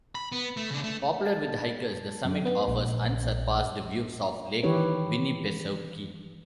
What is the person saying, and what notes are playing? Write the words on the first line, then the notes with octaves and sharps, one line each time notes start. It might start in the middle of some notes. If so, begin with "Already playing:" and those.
Popular with hikers, the summit offers unsurpassed views of Lake Winnipesaukee.
B5
B3
A3
C#3 D4
A3
A5
F#2
B3
A#1
D#3 E3 E4 G4 B4 C#5